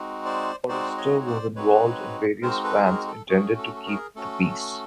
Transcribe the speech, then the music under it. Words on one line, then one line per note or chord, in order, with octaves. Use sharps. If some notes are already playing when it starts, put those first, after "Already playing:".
Forrester was involved in various bands intended to keep the peace.
Already playing: G#3 C4 D#4 F#4
C5 D5
G#3 C4 D#4 F#4 C5 D5
C#5 D#5
C#5
C5 D5
G#3 C4 D#4 F#4 B4 C#5
G#3 C4 D#4 F#4 A#4 C5
A4 B4
G#4 A#4
A4
A3 C#4 F#4 G#4
A4
A4
G#4 A#4
A3 C#4 F#4 A4